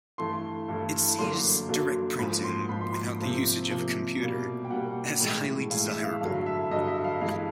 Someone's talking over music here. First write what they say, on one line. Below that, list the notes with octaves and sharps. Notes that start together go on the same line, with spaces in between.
It sees direct printing, without the usage of a computer, as highly desirable.
G2 E3 A3 C6
G2 E3 A3
F#2 D3 F#3 A#3 C6
F#2 D3 F#3 A#3
G#2 F3 A#3 B5
C6
G#2 F3 A#3 B5
C6
B5
C3 F3 A#3
C3 F3 A#3
B2 G3 A#3
G5
B2 G3 A#3 F#5
A2 E3 G#3
A2 E3 G#3 F5
E5
F5
G2 D3 F#3 F5
E5
G2 D3 F#3 D#5
E5
F5
G2 E3 G#3 F5